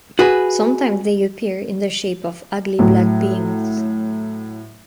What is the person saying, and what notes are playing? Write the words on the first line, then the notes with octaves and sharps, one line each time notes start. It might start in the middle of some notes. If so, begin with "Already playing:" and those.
Sometimes they appear in the shape of ugly black beings.
F#4 G#4 B4
A2 F#3